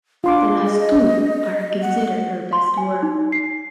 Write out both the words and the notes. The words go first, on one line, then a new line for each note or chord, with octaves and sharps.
The last two are considered her best work.
D4 F4 C6 D6
G#4 D#5
F#5
C6
G#5
D#4
C7